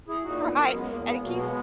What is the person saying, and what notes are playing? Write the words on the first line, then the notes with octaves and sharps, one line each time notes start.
Right? And he Keith's
E4 G#4
A#2 D#4 F#4
B3 D#4
F#3 A#3 C#4
G#3 B3
E2 A#3
G#3 B3
B2 F#3 A#3
G#3 B3